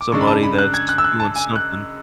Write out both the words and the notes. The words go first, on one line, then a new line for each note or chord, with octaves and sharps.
somebody that's doing something
D6
F#2 C#3 G#3 D4 C#6
B5
A5
B5
F#6
G#6
F#6
E6
F#6
A5
G#5
F#6